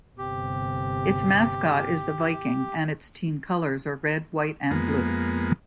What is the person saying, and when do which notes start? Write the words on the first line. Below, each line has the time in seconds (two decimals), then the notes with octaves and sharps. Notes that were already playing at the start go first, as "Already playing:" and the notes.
Its mascot is the Viking, and its team colors are red, white and blue.
0.18 G1 C3 G4
4.71 F2 G#3 A#3 B3